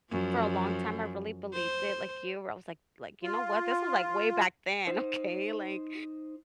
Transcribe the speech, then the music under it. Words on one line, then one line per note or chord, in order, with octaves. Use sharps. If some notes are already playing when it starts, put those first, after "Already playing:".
for a long time I really believed it, like you, where I was, like like, "You know what? This was, like, way back then, okay, like,
F#2 F3
C5
F4
D#4 C5